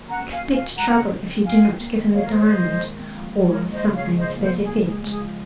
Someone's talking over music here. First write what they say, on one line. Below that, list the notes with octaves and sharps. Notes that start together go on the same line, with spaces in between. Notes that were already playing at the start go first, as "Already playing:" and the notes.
Expect trouble if you do not give him the diamond,' or something to that effect.
Already playing: D#2 F#3 A#3
C#4 F#5 A#5
F#4
F5 G#5
F#4
F5 G#5
A#2
G#3 F#5 A#5
C#3
C#3
C4
D#4 F5 G#5
C3
A#3
D#3
A#2 C#5 F5
A#4
G#3 C5
C#5
A#2 C5 D#5
G#3
D#2
C4
F3
F3
G#3 A#4 C#5
D#2
C5 D#5
C#3
C#5 F5
G#3
F3 C5 D#5
A#2 C5
A#2
G#4
A#2
G#3 G#4
G#3
G#4
F3